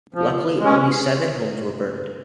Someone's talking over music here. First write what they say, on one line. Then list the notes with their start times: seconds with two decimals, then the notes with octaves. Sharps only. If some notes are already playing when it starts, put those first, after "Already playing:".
Luckily, only seven homes were burned.
0.14 F3
0.59 G#3 C#4